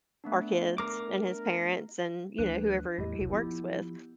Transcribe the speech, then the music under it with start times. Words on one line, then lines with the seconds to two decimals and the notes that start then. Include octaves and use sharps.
our kids and his parents and, you know, whoever he works with.
0.24 A3 B3 D4
0.78 A#4 D6
2.38 D2 F3 A3 D4 B4 F#6
2.98 E2 A2 E4 G4 D#5
3.19 E1 C2
3.33 F3 B3 E4 G4